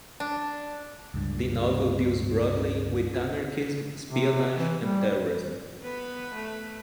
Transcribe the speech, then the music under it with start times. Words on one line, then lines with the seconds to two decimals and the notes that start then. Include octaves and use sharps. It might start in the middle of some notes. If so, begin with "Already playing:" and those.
The novel deals broadly with anarchism, espionage and terrorism.
0.20 D4
1.14 C#2 G2
4.08 C3
4.54 E3
4.81 G3
5.83 B3 B4
6.35 A3